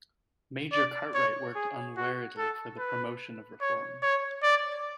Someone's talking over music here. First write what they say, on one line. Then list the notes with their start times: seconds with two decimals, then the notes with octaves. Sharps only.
Major Cartwright worked unweariedly for the promotion of reform.
0.73 D5
1.15 C#5
1.55 G#4
1.97 F#4
2.38 A4
2.79 B4
3.61 C#5
4.02 C#5
4.43 D5